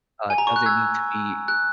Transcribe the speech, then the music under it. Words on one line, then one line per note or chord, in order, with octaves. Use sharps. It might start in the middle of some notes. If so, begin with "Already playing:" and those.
uh, doesn't need to be
G#5
A#5
C#6
F#6
E6 G#6
F#6